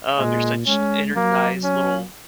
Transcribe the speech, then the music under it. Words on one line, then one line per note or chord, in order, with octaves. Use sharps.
Oh, they're such energized little
A#2 G#3
G#3 C#4
F#3 A#3
C#4